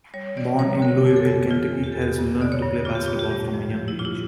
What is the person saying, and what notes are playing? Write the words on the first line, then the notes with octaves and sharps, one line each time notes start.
Born in Louisville, Kentucky, Harrison learned to play basketball from a young age.
G3 C#5
E3 D5
G3 C#5
C#5
D3 A#4
F2
A4
F2
E3 F4
E2
G4
E2 A4
G4
G2
D3 D5
C#5
G2
A#2 F4
G4
A#2 F4
G4
G3
F3
G4
F3
E4
A#2 F4
E4